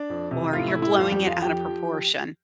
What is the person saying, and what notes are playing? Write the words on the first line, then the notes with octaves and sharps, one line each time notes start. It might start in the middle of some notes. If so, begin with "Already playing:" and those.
or, "You're blowing it out of proportion."
Already playing: D4 D5
F2
C3
A2 F4
E4
A2
E4
F2 F4
G3 G4
F2
F4 F5
F3 G4 G5
F3